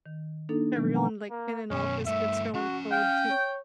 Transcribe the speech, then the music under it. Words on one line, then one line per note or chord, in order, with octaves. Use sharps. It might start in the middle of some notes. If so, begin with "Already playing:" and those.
everyone, like, in an office gets their own code to
D#3
A#3 D4 D#4 A4
B2 D#3 F3 F#3 G#3 B3
B4 F#5 G#5 A#5
A#3
F#2 B2 C#4
G2 A3 E5
C#4 F#4 A#5
F5 G5
C#5